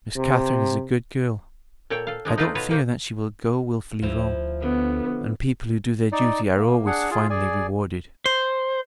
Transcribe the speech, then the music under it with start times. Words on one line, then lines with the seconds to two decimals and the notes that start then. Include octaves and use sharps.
Miss Catherine is a good girl: I don't fear that she will go wilfully wrong; and people who do their duty are always finally rewarded.'
0.17 C3
1.90 A#2 A4 C#5 D5 G5
2.07 A4 F5
2.25 F3 G#3 D4
2.38 D#4 F4 A4 B4 C5 D5
2.55 B2 F4 F#4 B4 C#5
2.69 C3 A#3 C5
4.02 D2 F3 E4 F4
4.62 D3 B3
6.12 D#4 D5
6.56 A#3
6.86 D4 G#4 F#5
7.11 F4 G#4
7.30 G#4 D5 G#5
8.26 C5